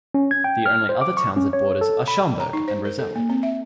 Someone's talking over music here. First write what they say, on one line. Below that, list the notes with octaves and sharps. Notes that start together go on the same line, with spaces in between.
The only other towns it borders are Schaumburg and Roselle.
C#4
G#6
G5
F6
C5
D6
C#6
C#4
C#5
A4
B5
A#5
D#4
C5
A#4
A4
A#3
C4
E5